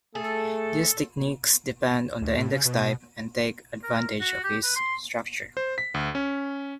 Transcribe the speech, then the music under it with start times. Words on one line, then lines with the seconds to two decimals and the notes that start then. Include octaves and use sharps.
These techniques depend on the index type, and take advantage of its structure.
0.15 A3 G#4 A4
2.22 D2
2.38 A2
2.52 C#3
2.65 B2
2.82 B2
3.84 A#4
4.21 F#4
4.44 G4
4.64 B4
4.76 C6
5.57 C5
5.78 B6
5.94 D2
6.15 C#4